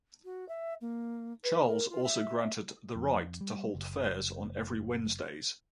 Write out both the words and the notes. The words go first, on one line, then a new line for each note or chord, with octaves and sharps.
Charles also granted the right to hold fairs on every Wednesdays.
F#4
E5
A#3
B4
A#4
F4
E5
F2
G3
F#1